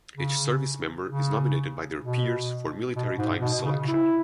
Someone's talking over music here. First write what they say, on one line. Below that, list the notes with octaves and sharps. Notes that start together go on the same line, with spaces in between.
Each service member is nominated by their peers for Military Times selection.
C#3
C#3
B2
B2
G#2
B2
C#3
E4